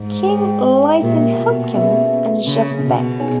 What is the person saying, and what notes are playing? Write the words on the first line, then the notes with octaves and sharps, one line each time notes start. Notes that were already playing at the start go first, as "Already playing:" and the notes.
King, Lightnin' Hopkins, and Jeff Beck.
Already playing: G#2
G#4 C#5 G5
A#2 G4 A#4 E5
B2
A#3 C#4 G#4 B4 E5
C#3 A#3 C#4 G#4
B2
D#4 G#4 C#5 G#5